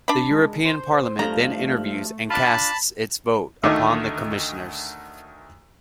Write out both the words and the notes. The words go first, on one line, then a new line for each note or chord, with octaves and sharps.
The European Parliament then interviews and casts its vote upon the Commissioners.
D4 B5
G#3
C5
G2 F3 A3 A#5
D4 F4 A5 B5
D2 D#3 A3 D#5 D6